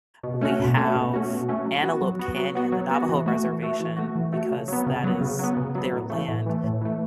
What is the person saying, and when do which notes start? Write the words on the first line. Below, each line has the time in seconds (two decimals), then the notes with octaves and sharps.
We have Antelope Canyon, the Navajo reservation, because that is their land.
0.23 B2
0.41 A3 C#4 F#4
0.60 B2
0.77 A3 C#4 F#4
0.96 B2
1.13 A3 C#4 F#4
1.30 B2
1.49 A3 C#4 F#4
1.66 F#3
1.83 B3 F#4
2.01 F#3
2.19 B3 F#4
2.37 F#3
2.55 B3 F#4
2.72 F#3
2.91 B3 F#4
3.09 E3
3.26 A3 F#4
3.44 E3
3.62 A3 F#4
3.80 E3
3.97 A3 F#4
4.16 E3
4.33 A3 F#4
4.51 C#3
4.68 F#3 B3
4.87 C#3
5.04 F#3 B3
5.21 C#3
5.39 F#3 B3
5.57 C#3
5.75 F#3 B3
5.93 A2
6.10 E3 A3
6.28 A2
6.46 E3 A3
6.64 A2
6.81 E3 A3